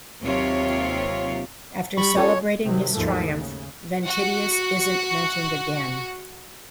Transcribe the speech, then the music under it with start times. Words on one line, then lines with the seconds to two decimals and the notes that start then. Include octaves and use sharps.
After celebrating his triumph, Ventidius isn't mentioned again.
0.21 D#2 C3 F#3 C4 F4 C#5
1.97 G3 B5 C#6
2.15 C#4 F4 A4 C#5
2.63 C3 D#3 F#3
2.93 D#2 G#2 F3 A3 A#3
3.24 C#3
4.03 F#4 F#5